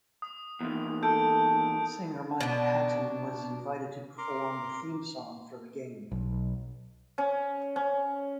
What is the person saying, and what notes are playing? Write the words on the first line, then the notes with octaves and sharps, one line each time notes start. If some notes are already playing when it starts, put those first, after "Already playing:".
Singer Mike Patton was invited to perform the theme song for the game.
D#6
E2 A#2 D#3
A4 G6 D7
B2 D4
A#4 A#5 C6 D6
B1
C#4
C#4